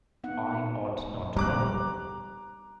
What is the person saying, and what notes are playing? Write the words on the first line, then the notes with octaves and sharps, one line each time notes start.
I ought not to murmur.
B3 D#4 F#5
G3 A#5 D6 F#6